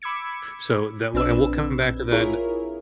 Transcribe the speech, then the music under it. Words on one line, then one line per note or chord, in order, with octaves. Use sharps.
So that will and we'll come back to that in a
B5 D6 E6 G#6 C#7
A#1 C4 D4 B4 E6
E4 F4 G#4 A#4 C#5